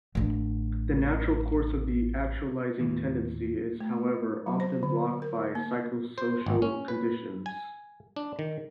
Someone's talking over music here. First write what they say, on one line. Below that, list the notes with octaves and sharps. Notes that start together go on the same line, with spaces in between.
The natural course of the actualising tendency is, however, often blocked by psychosocial conditions.
A1 D3
D#2 A2 E3
A3
F#3
C5
D3
A#4
A#3
C5
G#1
C#4
B4
G#5
D4
D#3